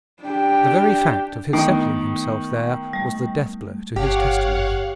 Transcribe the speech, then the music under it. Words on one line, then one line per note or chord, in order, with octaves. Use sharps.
The very fact of his settling himself there was the death-blow to his testimony.
D4 G4
D#3 A3 B3 D#4
G3 A3
G1 G4 C#5 F5 F#5